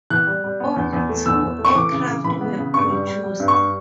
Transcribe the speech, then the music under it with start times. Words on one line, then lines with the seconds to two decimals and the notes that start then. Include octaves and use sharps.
Only two aircraft were produced.
0.10 E3 F#6
0.27 G3
0.44 G3
0.60 B3
0.76 E2
0.93 E2
1.09 A3
1.26 E2 E6
1.42 E2
1.58 A3
1.65 C#6
1.75 E3 D6
1.91 C#3
2.08 C#3
2.24 E3 B5
2.41 B3
2.57 C#3
2.74 G2 C#6
2.90 G3
3.07 G3
3.23 G3
3.40 G2
3.48 C#6
3.56 G3